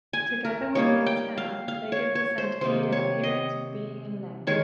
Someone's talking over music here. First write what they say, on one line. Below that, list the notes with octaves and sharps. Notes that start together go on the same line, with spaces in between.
Together with the antennae they give the centipede an appearance of being in length.
G#5
A#4
G3 A#3 D#4 C#5
G5
F5
F5
C#5
C#5
C5
C3 D#3 A#3 D#4 C5
C#5
D#5
D#3 G#3 C#5